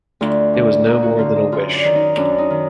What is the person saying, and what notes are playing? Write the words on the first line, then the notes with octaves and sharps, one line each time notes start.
It was no more than a wish.
D2 F4
D3
D2 D#4
F#4
D3 F4
D#4
F#2 F4
D5
D#3
D#4
F#2 D4
D#4
D#3